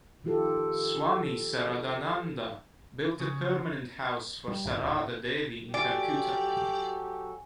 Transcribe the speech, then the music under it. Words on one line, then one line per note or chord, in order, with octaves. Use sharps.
Swami Saradananda built a permanent house for Sarada Devi in Calcutta.
D#3 F3 F4 G4 A4
C#3
G3
G#1
D1
A2
F#3 F#4 G4 A4 D5 G#5